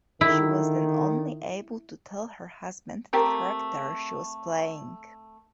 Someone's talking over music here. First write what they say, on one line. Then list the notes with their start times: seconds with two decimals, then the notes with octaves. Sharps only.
She was then only able to tell her husband the character she was playing.
0.21 D3 D#3 E4
3.13 A3 C4 G4 A#4